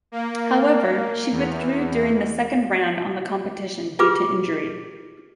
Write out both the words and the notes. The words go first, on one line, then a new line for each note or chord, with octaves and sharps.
However, she withdrew during the second round on the competition due to injury.
A#3
E2
F4 G4 G#4 B4 D6